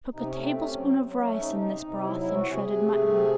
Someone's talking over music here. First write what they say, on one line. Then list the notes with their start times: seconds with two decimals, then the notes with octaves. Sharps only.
Cook a tablespoonful of rice in this broth and shredded mutton.
0.14 C3 D#4
0.27 C#4
0.35 A3
0.41 C4
0.54 C3 C#4
0.77 F#3 C4
0.99 F#3
1.19 A3 C#4
1.40 C3 D#4
1.61 C3
1.82 C3
2.03 F#3 E4
2.18 E4
2.24 C3
2.34 F#4
2.45 C3
2.50 G#4
2.66 C3
2.86 A3
3.08 C3